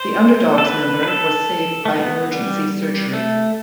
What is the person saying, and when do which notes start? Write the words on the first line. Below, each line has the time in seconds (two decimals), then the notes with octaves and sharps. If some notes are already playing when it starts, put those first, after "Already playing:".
The Underdogs member was saved by emergency surgery.
Already playing: C5
0.58 A4
0.66 B4
1.03 B4
1.08 A4
1.85 A3
1.91 B3
2.32 G3
3.13 A3